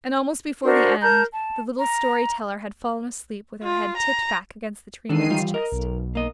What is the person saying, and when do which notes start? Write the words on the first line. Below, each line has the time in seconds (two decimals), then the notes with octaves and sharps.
And almost before the end the little story teller had fallen asleep with her head tipped back against the Tree Man's chest.
0.63 D4 F#4 A#4 C5
1.02 A#4 A5 A#5 G6
1.31 A5
1.78 A#5
3.63 F4
3.97 A#5
5.09 E2 D#3 D4 A4 C7 D#7
5.29 E3 G3 F4
5.54 A#4 D#5
5.72 B1
6.15 A#3 D#5